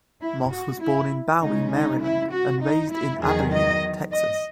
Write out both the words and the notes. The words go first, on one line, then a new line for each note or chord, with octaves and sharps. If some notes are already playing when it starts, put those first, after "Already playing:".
Moss was born in Bowie, Maryland and raised in Abilene, Texas.
E4
F#4
E4
C#3 G#3 C#4 D#4
D#4
E4
F#4
D#4
E4
E2 D#3 F#3 G#4
D#5
D#5